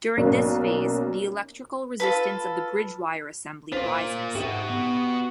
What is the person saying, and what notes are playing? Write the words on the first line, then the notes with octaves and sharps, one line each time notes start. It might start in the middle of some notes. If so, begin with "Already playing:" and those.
During this phase the electrical resistance of the bridgewire assembly rises.
B1 A#3 C#4 D5
F4 A4 B4
A#3 F4 C5 B6
G#2 F#4 G4 D#5 E5 F#5
B3